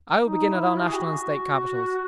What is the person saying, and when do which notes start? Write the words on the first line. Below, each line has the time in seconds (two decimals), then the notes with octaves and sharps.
I will begin at our national and State capitals.
0.23 D#4
0.50 E4
0.77 F#4
0.84 G#4
0.94 F#4